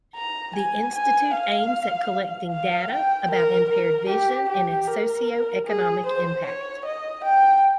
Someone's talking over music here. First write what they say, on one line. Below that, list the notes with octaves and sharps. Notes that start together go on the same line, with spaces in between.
This institute aims at collecting data about impaired vision and its socio-economic impact.
A#5
G#5
G#5
F5
F5
G5
A#4
A#4
G4
G4
A#4
G#4
C5
C#5
D#5
G5